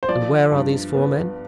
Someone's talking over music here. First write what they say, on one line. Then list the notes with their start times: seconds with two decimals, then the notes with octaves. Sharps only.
"And where are these four men?"
0.03 C5
0.09 F3 D5
0.51 G2
0.95 B3